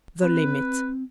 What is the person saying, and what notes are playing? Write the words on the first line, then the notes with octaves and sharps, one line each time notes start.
The limit.
C4 B4